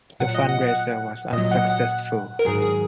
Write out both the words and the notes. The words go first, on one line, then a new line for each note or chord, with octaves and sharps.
The fundraiser was unsuccessful.
A#2 F#3 F#5
D#5
F#5
F#5
A#2 D#5
F#3
D#5
F#5
F#5
A#4
G#2 D#3 F#3 G#4
G#4